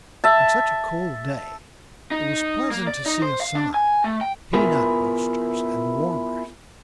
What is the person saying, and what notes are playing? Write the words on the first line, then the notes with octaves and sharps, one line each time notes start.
On such a cold day it was pleasant to see a sign "Peanut Roasters and Warmers."
E5 A5
D#4
A#3
D5
D#4
C5
F5
D4
G#5
A3
G5
B3 E4 F4 G#4 A#4 B4